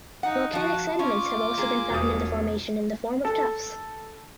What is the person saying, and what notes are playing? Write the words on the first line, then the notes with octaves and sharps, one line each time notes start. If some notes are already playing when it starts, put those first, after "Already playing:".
Volcanic sediments have also been found in the formation in the form of tuffs.
D#4 F#5
F3 F#4 A5
C#4 F4 D6
A#3 G#4
E1 D#6
A4